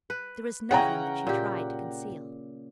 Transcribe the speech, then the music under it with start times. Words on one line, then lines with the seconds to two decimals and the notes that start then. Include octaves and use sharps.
There was nothing that she tried to conceal.
0.10 B4
0.71 C#3 E3 C#4 F#5 G5 A#5
1.27 A#2 G4